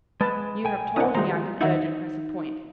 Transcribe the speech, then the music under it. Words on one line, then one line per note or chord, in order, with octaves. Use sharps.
You have told me I can urge and press a point.
G#3 B4 A5
B1 G5 G#5
C4 D4 E4 D#5 F#5
D#3 G3 G#3 F4 F#4 C5 A#5
D#3 D#4 E4 F#4 E5